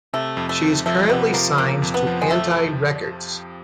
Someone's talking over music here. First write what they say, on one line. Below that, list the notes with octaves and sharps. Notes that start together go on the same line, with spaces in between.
She is currently signed to Anti Records.
C3 A3
F2
A3
F2
F3 A3
C3 B3
F3 A#3
F3 A#3
F2
B3
F3
G#3
A3